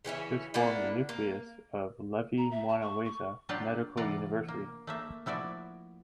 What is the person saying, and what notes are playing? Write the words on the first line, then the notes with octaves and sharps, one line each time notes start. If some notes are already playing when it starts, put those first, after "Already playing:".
This formed the nucleus of Levy Mwanawasa Medical University.
C#3 E3 C#4 E5
A#3 B3 D4 E4
A#3
A#5
E5
A5
C#6
C#6
F#3 D4 F4 G4 D5 F#5
C3 E3 F4 D5 F#5 A#5
A#3
A3 A#3 E5
F3 E4 F#4 D5 E5